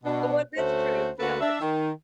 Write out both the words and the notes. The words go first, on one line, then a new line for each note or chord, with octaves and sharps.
Oh well, that's true, yeah, that's tr
B2 D4
D2 A3 C#4 F#4 C5
D2 D3 A#3 F#4 A4 B4
D4 E5
D#3